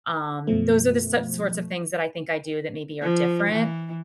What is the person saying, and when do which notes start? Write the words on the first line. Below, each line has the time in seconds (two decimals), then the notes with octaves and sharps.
Um, those are the so sorts of things that I think I do that maybe are different.
0.47 F#2 B2 F3 A3
3.02 F3
3.50 E3